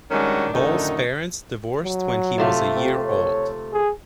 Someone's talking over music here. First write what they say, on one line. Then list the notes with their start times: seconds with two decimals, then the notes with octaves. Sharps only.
Ball's parents divorced when he was a year old.
0.11 D#3 G3 G#3 C#4 D4 F#4
0.54 F#2 A2 D3 D#3 A3 D#4
1.84 F#3
2.38 C3 A3 F4
2.74 C4
3.06 C#5
3.73 G#4